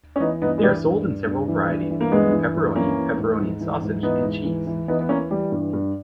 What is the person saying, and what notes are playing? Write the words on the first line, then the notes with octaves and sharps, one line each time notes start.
They are sold in several varieties including pepperoni, pepperoni and sausage, and cheese.
C#4
E3 B3 D#4
G2 B3 D#4
G#3
E3 G3
G2
G2
G2
E3
G2
E3
A#3
G2 G#3 B3
E3
G2
E3 A#3 C#4
E3
G#2
G#2
E3
G#2
E3 B3 D#4
G#2
E3
E3
E3 B3 D#4
B3
E3 A#3 C#4
E3 G3
G2
G2